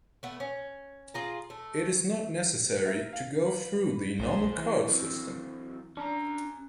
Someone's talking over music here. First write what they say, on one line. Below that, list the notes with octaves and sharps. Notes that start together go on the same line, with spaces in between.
It is not necessary to go through the normal court system.
A3 B3
C#4
F4 G#4 A#5
A3
A#4 E5
F5
B4
B1 G#4 C5
E3
F#3 C4
C#4 D4 A#5